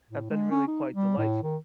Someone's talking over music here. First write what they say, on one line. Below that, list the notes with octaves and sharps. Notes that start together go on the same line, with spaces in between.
have been really quite delightful.
A2
G#3
C#4
D#4
G3
A2
D#3